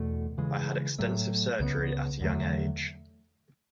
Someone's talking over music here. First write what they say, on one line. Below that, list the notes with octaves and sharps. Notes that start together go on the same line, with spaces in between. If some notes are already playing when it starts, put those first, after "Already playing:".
I had extensive surgery at a young age.
Already playing: E2 B2 A3
C#3 E3 G#3
A2 F#3 A3
C#2 C#3 F#3 B3
E2 D3 F#3 A3